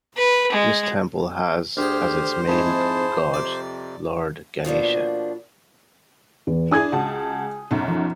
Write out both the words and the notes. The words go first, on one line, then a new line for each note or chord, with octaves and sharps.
This temple has as its main god Lord Ganesha.
B4
G#3
D2 G4 G#4 C5 F6
F2 G#2 E4 G#4 A5
F2 C3 D5
B2 F3 A#3 D4
E2
D4 E4 G#4 G#5 D#6 G#6
C#2 F#4 A5
B1 F#2
F3